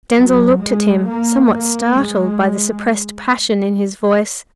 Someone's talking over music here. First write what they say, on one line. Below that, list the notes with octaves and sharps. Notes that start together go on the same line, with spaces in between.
Denzil looked at him, somewhat startled by the suppressed passion in his voice.
F#3
G#3
A#3
A#3
G#3